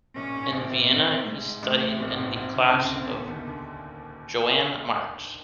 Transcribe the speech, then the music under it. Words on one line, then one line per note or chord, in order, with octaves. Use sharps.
In Vienna, he studied in the class of Johan Marx.
A#1 A#2 C#4
G#2
A1 A2 C4
A#1 A#2
G#2 C4
G#3
A1 A2 A3
A#1 A#2 C4
G#2
G#2
G#2 C4
D2 D3
D3
C#2 C#3 C4
D2 D3
D2 D3 B3
D#2 D#3
D3